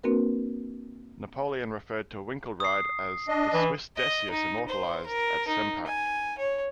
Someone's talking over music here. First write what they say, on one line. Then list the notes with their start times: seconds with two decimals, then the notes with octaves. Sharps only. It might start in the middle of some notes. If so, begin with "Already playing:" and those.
Napoleon referred to Winkelried as "the Swiss Decius immortalized" at Sempach.
0.04 A#3 C4 D4 F#4 A#4 B4
2.60 D#6 C7
3.28 D4 D#5
3.53 E3
3.97 D#5
4.31 D#4
4.69 C5
5.06 A#4
5.48 D#4
5.87 G#5
6.38 C#5